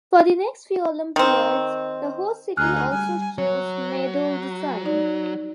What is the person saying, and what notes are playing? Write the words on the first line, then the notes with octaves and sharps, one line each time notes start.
For the next few Olympiads the host city also chose the medal design.
D#3 C4
D2 D#4 G#4 F6 F#6
G3 G#5
F#3 C#5
D#4 D5